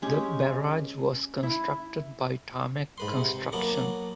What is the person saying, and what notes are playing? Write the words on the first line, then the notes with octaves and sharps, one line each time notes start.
The barrage was constructed by Tarmac Construction.
G#3 C#4 G4
E4
G#2 B4 C6
C3
F#3 A#3 B3 D4